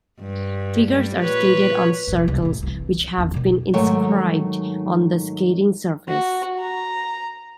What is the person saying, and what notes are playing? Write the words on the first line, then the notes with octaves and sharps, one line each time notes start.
Figures are skated on circles, which have been inscribed on the skating surface.
G2
G2 G3
A#2 B4 C#5
F#2 B2
C2
E2 A2
C2 E3
F2 E4
B2 D#3
G#2 D#3 F#3 A3 C#5 G5
F#4
A#5